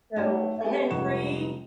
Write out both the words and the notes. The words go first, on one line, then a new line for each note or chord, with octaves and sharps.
So, every
A3 D#4 F#4 C#5 G5
G4 A4 B4 D#5 E5 G#5
F1 C#2 G3 F#5 C#6 E7